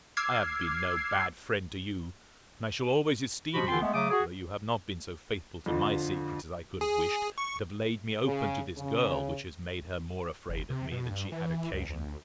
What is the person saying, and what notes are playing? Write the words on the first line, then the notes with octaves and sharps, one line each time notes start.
I have been no bad friend to you; and I shall always esteem you, though you have not been so faithful to my secrets as I could have wished, and have laid me open to this girl, which has made her more afraid of me than she had occasion.
D6 E6 F6 G#6 C7
B2 F3 F#4 G4 B5
D3 E3 F4 G5 C6
G#3 A3 B3
C#3 F#3 A3 D6 D#6
F#4 G#4
F2 D3 F3
G#4
C#6
C#3
C#3
F#1
C3
B2
G2
E3
C#2
D2